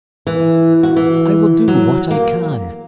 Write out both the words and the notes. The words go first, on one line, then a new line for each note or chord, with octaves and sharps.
I will do what I can.
E3
F#4
E3
F#3
A#3